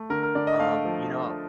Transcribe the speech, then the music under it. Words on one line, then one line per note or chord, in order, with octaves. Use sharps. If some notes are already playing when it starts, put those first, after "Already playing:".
Um, you know
Already playing: A3
D3 A#4
A#4
D3 D5
D#5
A3 F5
F3